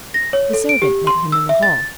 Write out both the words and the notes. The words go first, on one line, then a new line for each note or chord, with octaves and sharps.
The servant met him in the hall.
A#6
C#5
A4
D7
G4
C6
E6
E5
A6